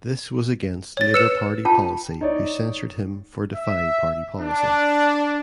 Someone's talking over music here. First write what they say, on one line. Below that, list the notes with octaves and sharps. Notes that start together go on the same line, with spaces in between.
This was against Labour Party policy who censured him for defying party policy.
C#5 A6
B4 E6 C#7 E7
F4 G5 A5
D#4 C#5 D5
E5
D4